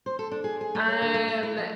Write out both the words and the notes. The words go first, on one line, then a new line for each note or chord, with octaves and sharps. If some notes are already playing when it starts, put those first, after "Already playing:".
Um, eh,
C5
A4
D4
G#4
G#4
A3
C#5
D3
A3
E5
E4
F3